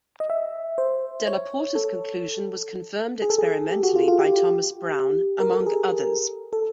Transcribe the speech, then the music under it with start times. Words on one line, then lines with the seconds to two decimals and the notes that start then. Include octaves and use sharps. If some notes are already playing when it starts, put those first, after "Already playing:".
Della Porta's conclusion was confirmed experimentally by Thomas Browne, among others.
0.20 D#5
0.30 E5
0.78 C5
1.27 C#5
1.75 A4
3.22 G#4
3.30 A4
3.38 G#4
3.71 G4
3.83 F#4
3.96 F4
4.08 F4
4.19 G4
5.40 A#4
5.53 A4
5.66 G#4
6.53 A4